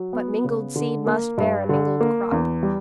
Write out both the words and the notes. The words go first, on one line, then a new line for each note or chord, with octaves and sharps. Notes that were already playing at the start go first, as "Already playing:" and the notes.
But mingled seed must bear a mingled crop.
Already playing: F#3
B3
C#3
D3
A#3
G2
D3
A#3
E2
G3